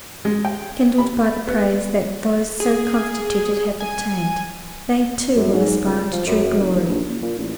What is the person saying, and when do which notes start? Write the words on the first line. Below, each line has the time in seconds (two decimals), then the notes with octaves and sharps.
Kindled by the praise that those so constituted have obtained, they too will aspire to true glory.
0.25 G#3
0.45 G5
0.98 B5
1.47 B3
2.60 G#4
3.80 G#5
5.36 F#2
5.53 G#2
5.85 C#2
6.12 F3
6.27 F#2
6.44 F#2
6.60 F#1
6.74 D#2
6.88 A#1
7.09 F#1
7.22 A#2
7.38 A1